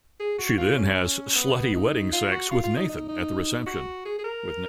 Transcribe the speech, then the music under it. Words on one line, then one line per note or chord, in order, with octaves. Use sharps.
She then has "slutty wedding sex" with Nathan at the reception.
G#4
F#4
F4
C#4
B3
D#4
F4
F#4
F4
F4
D#4
D#4
D#4
F#4
G#4
G#4
A#4